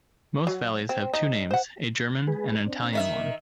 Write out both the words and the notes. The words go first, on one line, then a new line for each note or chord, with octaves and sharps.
Most valleys have two names, a German and an Italian one.
F#3
C4
D#4
C5 F#5
G#3 G#4 B4
C4 D4
D#3 D#5 E5
A#3